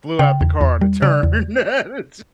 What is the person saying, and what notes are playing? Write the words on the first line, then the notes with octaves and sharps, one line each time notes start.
flew out the car on a turn. Its
C#3 G5
E2
E2
G3
C#3 D5
E2